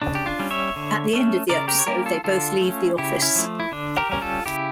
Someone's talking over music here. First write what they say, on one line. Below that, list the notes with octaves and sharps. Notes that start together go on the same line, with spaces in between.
At the end of the episode, they both leave the office.
C#3 D4
G4
D4 F4
G3 C#4
C#5 E5
D3
A3 C#4
C#3 A#4 D5
G4 A#4
C#5
G3 A#3 C#4 G4 A#4
F4 A4
D3 F4 A4
A3 C#4
C#3 E4 G4
C#4 E4
F3 A3
E4
D3 D4
G4 A#4
G3 C#4 A#4
F4 A4
C#3 E4 G4